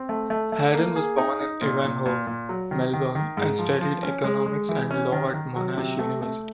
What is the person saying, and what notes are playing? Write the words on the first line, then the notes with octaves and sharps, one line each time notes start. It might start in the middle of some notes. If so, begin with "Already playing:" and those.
Hadden was born in Ivanhoe, Melbourne, and studied economics and law at Monash University.
Already playing: C4
A3
A3
A3
A#3
G#4
D#4
D#4
A#2
A#2
A#2
A#2
F#3
D#3
D#3
D#3
G#2
F3
F3
C#4
G#3
G#3
E3
C#4
D#3
D#3
F#3
C3
A3
A3